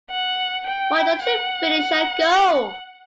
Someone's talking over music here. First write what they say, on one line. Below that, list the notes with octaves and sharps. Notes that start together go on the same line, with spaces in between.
Why don't you finish and go?
F#5
G5
F#5